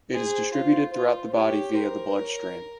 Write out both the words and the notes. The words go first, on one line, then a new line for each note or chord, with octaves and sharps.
It is distributed throughout the body via the blood stream.
G#4 C5
F4 C5
F4 C5
G4 C#5
A#4 C5
C#5